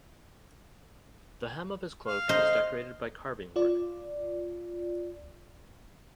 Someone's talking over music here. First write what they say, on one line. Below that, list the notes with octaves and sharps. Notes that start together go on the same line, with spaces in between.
The hem of his cloak is decorated by carving work.
F5
C5 D#5
F4 D5